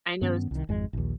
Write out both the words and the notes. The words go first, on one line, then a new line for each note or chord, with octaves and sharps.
I know s
G2 D#3 B3 C#4
C2 D#3
G#1 F2 G#3
A#1 D#2